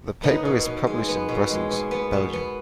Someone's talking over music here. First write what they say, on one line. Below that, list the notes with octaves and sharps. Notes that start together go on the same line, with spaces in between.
The paper is published in Brussels, Belgium.
B3 D#4
B2
B2
G#3
B3
B2
G#3
B2
B3
B2
B3